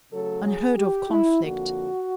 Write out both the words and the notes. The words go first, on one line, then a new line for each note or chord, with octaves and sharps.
Unheard-of conflict!
C#3 F#3 A3 A4
G#4
G4
E4
F2 D3 F3 A#3 F#4